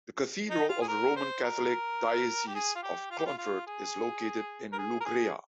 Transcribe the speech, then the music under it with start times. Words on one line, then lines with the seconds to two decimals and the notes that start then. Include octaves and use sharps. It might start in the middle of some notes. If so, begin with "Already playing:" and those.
The cathedral of the Roman Catholic Diocese of Clonfert is located in Loughrea.
0.50 D#4
0.69 F4
0.81 G#4
0.88 A#4
1.16 C5
1.44 A#4
2.47 G4
2.55 G#4
2.75 F4
2.83 G4
3.10 F4
3.18 G4
3.26 F4
3.38 F4
3.66 G#4
4.72 A#4
4.78 G#4
5.00 A#4
5.05 G#4